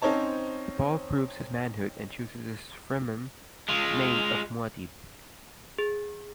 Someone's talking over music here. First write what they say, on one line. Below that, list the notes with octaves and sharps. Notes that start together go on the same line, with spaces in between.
Paul proves his manhood and chooses his Fremen name of Muad'Dib.
C4 C#4 D#4 C5 C#5 A5
G#3 F4
G#4